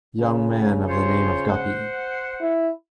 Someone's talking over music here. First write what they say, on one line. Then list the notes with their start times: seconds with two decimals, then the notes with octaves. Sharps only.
Young man of the name of Guppy!
0.20 C#3
0.87 F4 C5 C#5
1.48 C5 F#5
2.41 E4